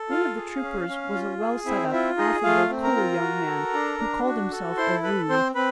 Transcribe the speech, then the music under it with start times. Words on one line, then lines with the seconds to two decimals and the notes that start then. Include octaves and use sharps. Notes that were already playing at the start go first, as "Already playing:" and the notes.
One of the troopers was a well set up, affable, cool young man, who called himself O'Roon.
Already playing: A4
0.10 F4 F5
0.36 G#4
0.62 C#4
0.89 C#4
1.14 F4
1.40 G#4
1.66 C4 E4 E5
1.92 E4 F4 E5
2.17 D#4 G#4 D#5
2.44 A3 F4 F5
2.70 C4
2.83 A#4 A#5
2.96 F4
3.21 F#4
3.47 A4
3.74 D4
3.99 D4
4.25 F#4
4.51 A4
4.77 E4 C5 C6
5.03 A4 B4 B5
5.29 C4 C5 C6
5.55 C4 B4 B5